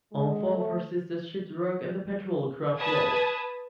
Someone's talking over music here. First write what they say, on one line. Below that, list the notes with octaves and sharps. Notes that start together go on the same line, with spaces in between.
All four of her sister ships work in the patrol craft role.
G#3
A3
B4 A5 D#6 G#6